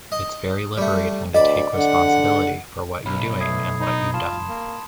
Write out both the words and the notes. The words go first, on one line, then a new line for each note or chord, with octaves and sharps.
It's very liberating to take responsibility for what you're doing and what you've done.
D#5
G3 A3
D2 D5 D#5 B5
D3 F#5
B1 B5
A3 D#6 G#6 C7
D#4 B5
F4 A5 C6 E7
A#3